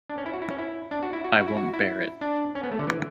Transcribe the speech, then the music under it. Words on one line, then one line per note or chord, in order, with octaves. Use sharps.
I won’t bear it.
D4
C#4
E4
F#4
E4
C#4
E4
D4
F#4
E4
F#4
E4
F#4
E4
F#4
E4
D4
C#4
B3
A3
D3
E3